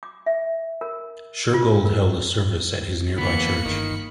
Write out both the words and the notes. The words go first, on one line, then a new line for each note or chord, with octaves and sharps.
Shergold held a service at his nearby church.
D6
E5
A#4
F4
A#4
D3 E3 A#3 B3 B5 C#7
G1 D#3